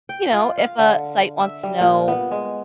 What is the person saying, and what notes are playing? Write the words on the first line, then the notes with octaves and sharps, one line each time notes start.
you know, if a site wants to know,
G5
F4
F5
D3
E5
G3
A#2
B3
G#3